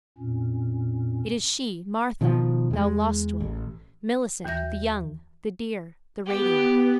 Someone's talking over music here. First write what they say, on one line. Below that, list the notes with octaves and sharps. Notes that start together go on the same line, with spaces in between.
It is she, Martha, thou lost one, Millicent, the young, the dear, the radiant.
F2 A#2 C#4
B2 D#3 F3
E2 G#3
A1
D#2 E3 F#4 E5 G6 A#6
B3 G4